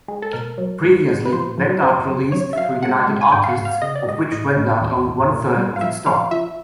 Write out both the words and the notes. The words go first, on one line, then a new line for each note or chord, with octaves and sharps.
Previously, Vanguard released through United Artists, of which Vanguard owned one-third of its stock.
G#3
A4
B2 A#4
F#3
G#2
G#3
B4
F3 C5
F3
F#2 C5
F#2
F#3 C#5
E5
F#3 F5
G#3 F#5
G#3
G#5
G#2 G5
F5
F#5
G#2
F5
C#3 D#5
D5
G#3 D#5
A2 D#5
A2
E2
E2
A#2
G3
F5
F3 E5
F3 F5
F3 E5